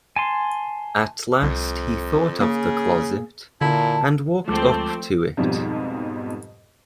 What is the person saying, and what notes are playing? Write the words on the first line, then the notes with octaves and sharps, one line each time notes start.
At last he thought of the closet, and walked up to it.
G#5 A5 C6
C2 F2
C#3 A#3 G#4
A#2 D3 E4 A5
D2 F3 G#3 A3 C4 A5 D6
F2 G#2 B2 F3 G3